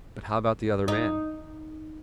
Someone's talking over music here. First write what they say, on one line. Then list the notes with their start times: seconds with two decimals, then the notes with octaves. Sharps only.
"But how about the other man?"
0.88 D#4